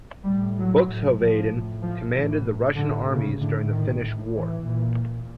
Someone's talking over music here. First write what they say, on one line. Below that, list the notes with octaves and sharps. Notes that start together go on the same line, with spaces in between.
Buxhoeveden commanded the Russian armies during the Finnish War.
A2 G3
F#3
A2
F3
A2
F3
A2 E3
A2 D3
C#3
A2 D3
D#3
A2
E3
A#2